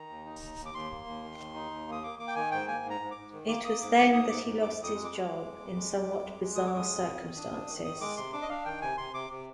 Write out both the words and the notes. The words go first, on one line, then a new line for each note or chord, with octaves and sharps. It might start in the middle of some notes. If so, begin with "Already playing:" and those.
It was then that he lost his job in somewhat bizarre circumstances.
Already playing: D#3 A#5
D#2
D#4
D#2
D#2
D6
D#2 C6
A#3
D#2
D#3
D#2
D#4
D#2
A#3 D#6
A#3 D6
A#3 D6
G5
D#3 G#5
G#2 G5
A#3 G#5
G#2
A#5
G#2
D6
G#2
D#3
A#3 D6
A#3 D#6
G#2 D6
G#2 D6
G#2 D#6
G#2 D6
G#2
F2 D6
F2
D#6
G#3
D6
G#3
G#3
F2
F2
G#3
F2
F2
G#3
G#3
F2 D#6
G#3 D6
D#6
F2
D#3
D#3
D4
D4
D#3
D#3 D#6
G#3 D6
C3 C6
D4 D6
D#5
D4 F5
D#3 G5
C3 G#5
C3 C6
C3 D6
C3